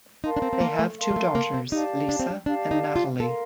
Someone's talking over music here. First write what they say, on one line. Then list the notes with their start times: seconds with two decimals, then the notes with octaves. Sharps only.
They have two daughters, Lisa and Natalie.
0.24 D#4 A#4 F5 A5 C6
0.37 D4
0.42 C4
0.53 C4
0.61 A#3
0.79 A3
0.98 A#4 F5 A5 C6
1.11 G3
1.16 A3
1.35 A#3
1.54 C4
1.72 D#4 G4 D5 F5 A5
2.09 D4
2.20 C4
2.31 D4
2.46 D4 G4 D5 F5 A5
2.71 D#4
2.96 F4
3.20 A4 A#4 F5 C6